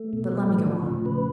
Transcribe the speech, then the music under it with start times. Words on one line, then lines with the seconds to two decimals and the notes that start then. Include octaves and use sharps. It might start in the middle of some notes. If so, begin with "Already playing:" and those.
But let me go on.
Already playing: A3
0.13 B2
0.32 A3
0.50 A2
0.68 F3
0.86 A2
1.05 C#3 B4